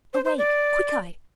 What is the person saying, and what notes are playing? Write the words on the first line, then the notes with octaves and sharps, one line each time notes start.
Awake! Quickeye!
C5
C5
D5